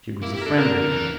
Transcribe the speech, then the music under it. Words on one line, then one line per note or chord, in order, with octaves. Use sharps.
She was a friendly woman.
A#3 E4
E4 G4
A#4
D4 A4
C4 A#4
D3
E3